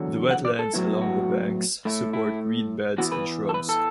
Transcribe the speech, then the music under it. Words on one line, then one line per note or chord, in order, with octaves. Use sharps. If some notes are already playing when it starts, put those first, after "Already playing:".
The wetlands along the banks support reed beds and shrubs.
Already playing: E2 D3 F#3
F#5
D5
A4
A2 F#3 B3 E4
F#4
A2 A3 E4
E4
E2 E3 B3 E4 F#4
B4
A4
B4
A4